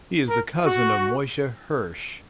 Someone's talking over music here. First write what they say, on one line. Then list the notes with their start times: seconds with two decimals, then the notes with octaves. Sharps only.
He is the cousin of Moshe Hirsch.
0.28 A#4
0.66 F#4